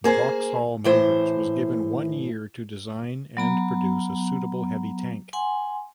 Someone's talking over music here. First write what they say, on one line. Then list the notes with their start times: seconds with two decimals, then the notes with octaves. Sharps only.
Vauxhall Motors was given one year to design and produce a suitable heavy tank.
0.04 A#3 G#4 C5
0.84 A2 E3 C5
3.37 F#3 B3 A#5
5.33 F#5 G#5 C6